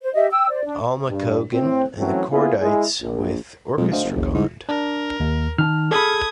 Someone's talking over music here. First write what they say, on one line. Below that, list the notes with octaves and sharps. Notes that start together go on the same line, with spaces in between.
Alma Cogan and The Kordites with orchestra cond.
C5
G4 D#5 E5
G5 E6
C5 D5
D4
G2
A2 C4
E3 F#3 A3 C4 C#4
A#3 B3 E4 F4 G#4
G#3 E4 G#4
A#1
F2 B2 F#3 G#3
D2 C5 D#5 F5
F#1
A#1 D#2
G#2 C#3 G3 E4
D4 A#4
D#2
D#3 A5 F6
G#4 A4 B5 D#6 G#6